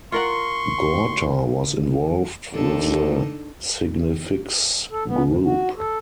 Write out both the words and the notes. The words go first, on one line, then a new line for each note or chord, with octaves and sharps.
Gorter was involved with the Significs group.
F4 A#4 F#5 C6 C#6
D#2 D4 D#4 A4
A4
B3
G#2
F#4
A4